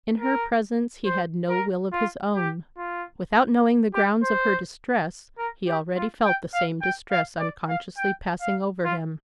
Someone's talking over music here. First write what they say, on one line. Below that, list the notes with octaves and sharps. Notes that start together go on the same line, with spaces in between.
In her presence he had no will of his own: without knowing the grounds of her distress, he already felt the same distress unconsciously passing over him.
A#4
C5
A#4
F4
G4
F4
G4
C5
A#4
G4
F4
G5
F5
G5
F5
D5
F5
G5
F5
F4